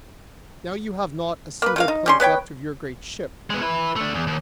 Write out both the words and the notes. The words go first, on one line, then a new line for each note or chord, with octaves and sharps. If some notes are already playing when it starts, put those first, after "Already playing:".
Now you have not a single plank left of your great ship!
A#3 B4
C#3 A#3 F5
D#4
G3 C#4 C6
B3 B4 C#5 G5
G#3 B3
E4 B4
A3 D4
E2
D#2